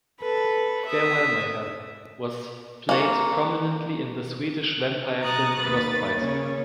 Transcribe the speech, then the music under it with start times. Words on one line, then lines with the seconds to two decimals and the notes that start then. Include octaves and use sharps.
"Farewell My Hell" was played prominently in the Swedish vampire film Frostbite.
0.20 A4 B4
0.85 E5 D#6
2.89 A#3 F#4
5.20 A#5 C#6 D#6 F#6 A6
5.59 D#2 A#3 B4 A6
6.17 C#3 A#3 C#4 C#5